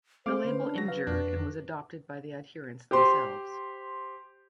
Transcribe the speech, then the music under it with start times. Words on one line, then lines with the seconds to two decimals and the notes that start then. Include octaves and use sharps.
The label endured and was adopted by the adherents themselves.
0.26 A3 C4 C5 F5 D6
0.45 D3 C#4 B4
0.61 D4
0.75 F#3 A#6
0.88 B4 F5
1.07 F2 D4 F#4 B4
2.91 G4 C5 C6